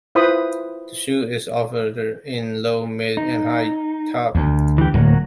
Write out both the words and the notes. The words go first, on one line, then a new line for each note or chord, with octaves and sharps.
The shoe is offered in low, mid and high-top.
E4 F4 B4 C5 B5 D#6
D#4
D2
E3 G4
D1 F#3 A#3 F#4